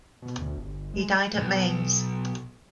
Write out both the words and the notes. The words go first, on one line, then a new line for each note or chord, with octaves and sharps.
He died at Mainz.
B2
D2
G1
G#3
B1